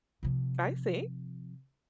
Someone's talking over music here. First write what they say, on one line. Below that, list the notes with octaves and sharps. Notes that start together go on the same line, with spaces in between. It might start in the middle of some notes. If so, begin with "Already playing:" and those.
I see.
C3 F3